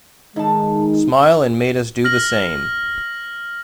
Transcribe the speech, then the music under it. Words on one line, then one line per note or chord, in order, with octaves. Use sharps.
Smile and made us do the same.
A2 D#3 G#3 D#4 A5
F6 A#6 F#7